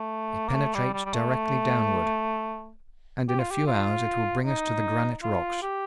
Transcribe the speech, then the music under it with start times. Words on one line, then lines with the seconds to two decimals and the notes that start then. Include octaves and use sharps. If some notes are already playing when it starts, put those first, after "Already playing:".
It penetrates directly downward, and in a few hours it will bring us to the granite rocks.
Already playing: A3
0.49 A#3
0.55 A3
0.74 G3
0.94 G3
1.05 G3
1.14 A3
3.29 G4
3.40 F4
3.51 G4
3.67 F4
4.45 D#4
5.23 F4
5.62 G4